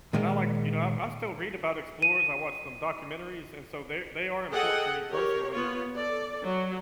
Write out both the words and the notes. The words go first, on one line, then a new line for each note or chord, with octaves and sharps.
And I like you know, I I still read about explorers. I watched some documentaries, and so they're they are important to me personally.
A#2 D#3 G#3 A#3
D#7
G#4 A4 D#5 F#5 G5
G4 A#4 C#5
B3 F4 C#5
A4 D5
F#3